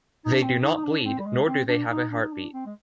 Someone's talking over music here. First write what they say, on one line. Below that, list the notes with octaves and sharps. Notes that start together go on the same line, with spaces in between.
They do not bleed, nor do they have a heartbeat.
D#4
D4
C4
D#4
D#4
D4
C4
G3
G#3
C4
D4
D#4
D4
D#4
D4
C4
G#3